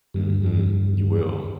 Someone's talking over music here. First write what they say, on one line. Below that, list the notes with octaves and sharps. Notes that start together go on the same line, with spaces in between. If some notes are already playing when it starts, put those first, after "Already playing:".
Mhm. You will.
G2